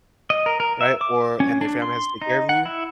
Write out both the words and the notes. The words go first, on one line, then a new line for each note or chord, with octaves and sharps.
Right? Or and their family has to take care of you
D#5
A#4
A#4
E5
D6
C#4
D4
C6
D#4
F#5
E4